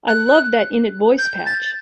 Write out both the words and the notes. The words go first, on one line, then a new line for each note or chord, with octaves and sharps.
I loved that "Init Voice" patch.
F#6
G6
A6